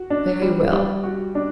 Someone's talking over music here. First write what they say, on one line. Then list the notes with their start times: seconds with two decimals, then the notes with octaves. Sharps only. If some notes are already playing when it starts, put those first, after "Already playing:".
'Very well.
Already playing: F#4
0.10 D4
0.42 G3
0.73 G3
1.04 F#4
1.35 D4